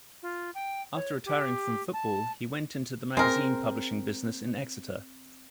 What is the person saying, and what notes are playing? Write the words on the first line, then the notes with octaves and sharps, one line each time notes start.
After retiring from football, he went into the magazine publishing business in Exeter.
F4
G5
C#5
G4
A5
G#3 C4 A#4